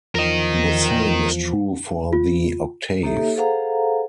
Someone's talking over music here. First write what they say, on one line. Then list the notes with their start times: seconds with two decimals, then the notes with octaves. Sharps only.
The same is true for the octave.
0.15 E2 F3 A#4 D#5
2.13 F4
3.03 A#3 D#4 G4 A4 C#5 E5
3.36 G#4 A4 C5 F5 F#5 A#5